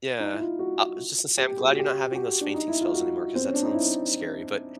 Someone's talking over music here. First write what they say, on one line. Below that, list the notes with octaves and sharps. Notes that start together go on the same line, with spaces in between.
Yeah. I just to say, I'm glad you're not having those fainting spells anymore 'cause that sounds scary, but
D#4
E4
F4
F#4
G4
G#4
G4
F#4
G4
F#4
G4
D4
D#4
E4
F4
F#4
C4
C#4
D4
D#4
E4